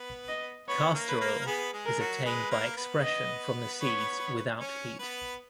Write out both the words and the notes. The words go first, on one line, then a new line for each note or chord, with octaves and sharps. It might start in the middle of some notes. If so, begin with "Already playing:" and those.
Castor-oil is obtained by expression from the seeds without heat.
Already playing: B3 B4
D#5
B3 B4 C#5
A#3 A#4
B4
A#3 A#4
A#4
B3 G#4 B4
G#3 G#4
A#4
F#3 F#4
G#3 G#4 B4
A#3 A#4
B3 B4
D#5
C#5
C#4 C#5
B3 B4